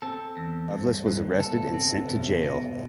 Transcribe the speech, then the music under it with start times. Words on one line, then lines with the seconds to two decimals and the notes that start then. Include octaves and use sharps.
Loveless was arrested and sent to jail.
0.02 C4 A4
0.37 E2
0.71 G2
1.06 G2
1.39 B3 A4
1.74 C3
2.08 B2
2.43 B2